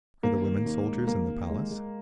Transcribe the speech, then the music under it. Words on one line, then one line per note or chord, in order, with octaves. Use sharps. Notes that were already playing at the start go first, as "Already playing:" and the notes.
"Are the women soldiers in the Palace?"
D#2 A#3
D#3
D#2
G#3
D#2 A#3
D#2
G#3
G#3